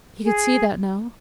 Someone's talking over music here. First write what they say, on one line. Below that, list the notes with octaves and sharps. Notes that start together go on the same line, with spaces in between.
He could see that now.
G#4